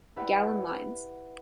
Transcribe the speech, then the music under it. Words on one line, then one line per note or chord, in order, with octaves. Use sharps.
Gallen lines.
E4 G4 B4 D5 E5 F#5